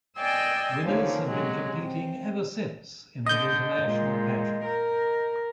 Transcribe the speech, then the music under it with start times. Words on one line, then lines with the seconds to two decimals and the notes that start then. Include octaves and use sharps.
Winners have been competing ever since in the international pageant.
0.17 D5 D#5 G5 G#5 C6 E6
0.84 D3 D#3 F3 A#3 C#4 D4
1.24 C3 F#3 G#3 C#4
1.82 C4
3.26 D3 D#5 G6
3.82 A#2 G#3
4.65 A#4